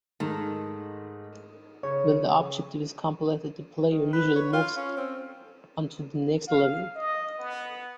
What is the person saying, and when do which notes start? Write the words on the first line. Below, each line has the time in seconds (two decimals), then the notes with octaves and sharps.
When the objective is completed, the player usually moves on to the next level.
0.20 G#2 D#3 G#3 A3
1.83 C#3 C#5 C#6
3.88 D#3
4.13 B4
4.35 C#5
4.53 F4
4.77 C#4
4.97 C4
6.48 F5
6.95 D#5
7.38 B3